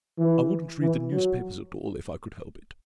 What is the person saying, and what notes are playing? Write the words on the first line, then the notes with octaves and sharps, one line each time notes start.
I wouldn't read the newspapers at all if I could help it.
E3
E3
F#3